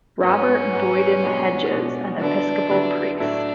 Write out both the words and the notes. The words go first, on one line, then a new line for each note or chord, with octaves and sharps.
Robert Boyden Hedges, an Episcopal priest.
G#2 F#3 B3 C#4 F#4
G#2 F#3 B3 F#4
B2 G#3 D4 F#4
B2 G#3 D4 F#4
D3 F#3 B3 D4 E4
D3 F#3 B3 E4
A2 F#3 A3 D4 E4